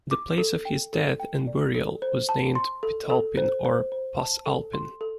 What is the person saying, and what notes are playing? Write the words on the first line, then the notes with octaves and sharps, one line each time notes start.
The place of his death and burial was named Pitalpin or Pas-alpin.
D6
A4
G5
A4
G5
D5
A4
C5
A5
C6
A4
A4
C5
C5
C5
A5
A4
C6
A4